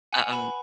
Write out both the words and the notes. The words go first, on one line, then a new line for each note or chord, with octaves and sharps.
Uh um,
F#5 G#5
B4 B5